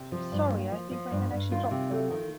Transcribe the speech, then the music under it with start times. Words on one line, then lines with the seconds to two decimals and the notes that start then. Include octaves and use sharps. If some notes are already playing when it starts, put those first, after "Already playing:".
Sorry, I think my connection dropped for a moment.
Already playing: C3
0.12 F3
0.32 G2
0.52 A#3
0.72 F3
0.91 F3
1.11 G2
1.31 G2
1.51 D#3 F4
1.71 C3
1.91 A3
2.11 D#3